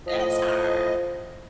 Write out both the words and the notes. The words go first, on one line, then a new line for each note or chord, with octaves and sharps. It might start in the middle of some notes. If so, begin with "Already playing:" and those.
That's hard.
A2 F3 D#5